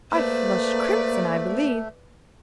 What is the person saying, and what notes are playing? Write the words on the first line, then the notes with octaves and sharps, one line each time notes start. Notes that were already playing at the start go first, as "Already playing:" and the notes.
I flushed crimson, I believe.
A3 A#3 B4 C5 D5